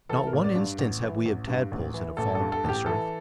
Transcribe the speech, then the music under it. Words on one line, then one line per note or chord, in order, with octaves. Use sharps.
Not one instance have we of tadpoles that have fallen to this earth.
E3 A4
A#4
A1
D5
G2
A1
E3
A1
G2
A1
E3
A1 A4
A4
G2
A4
A1 G4
E3 A4